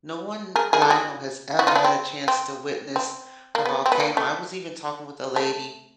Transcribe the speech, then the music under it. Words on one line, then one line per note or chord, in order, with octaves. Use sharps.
No one that I know has ever had a chance to witness a volcano. I was even talking with a lady
G#4 A#4
G#4 A#4
A4
F#4 G#4
E4 F#4
D#4 F4
D4 E4
C4
C4
C4
A#3
B3
C4
B3
A#3
A3
A3